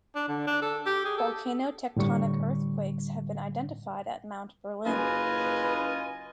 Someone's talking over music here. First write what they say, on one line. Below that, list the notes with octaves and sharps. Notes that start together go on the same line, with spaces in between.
Volcano-tectonic earthquakes have been identified at Mount Berlin.
D4
D3
D4
A4
G4
G#4
A4
A2 D3 G3 C#6
F#1 F4 B4 D#5 G#5